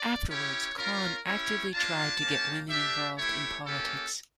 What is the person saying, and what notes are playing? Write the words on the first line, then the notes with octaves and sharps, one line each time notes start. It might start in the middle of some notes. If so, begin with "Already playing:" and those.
Afterwards, Kahn actively tried to get women involved in politics.
Already playing: D5
C#4 E4 G4 C#5
C#4 F4 A#4
C#4 E4 G4 C#5
A#3 D4 F4 A5
A#3 C#4 G4
A3 D4 G4 E5
A3 E4 G4 C#5
A#3 C#4 G4 A4